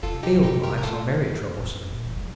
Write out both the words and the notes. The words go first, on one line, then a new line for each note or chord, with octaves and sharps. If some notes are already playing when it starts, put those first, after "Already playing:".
Field mice are very troublesome.
C3 F4 A4
D#4 G4
A#2
C3 D#4 G4
G4 A#4
A#2
A#4
A2 F4 A4
A2
G2
A#2
F3
G3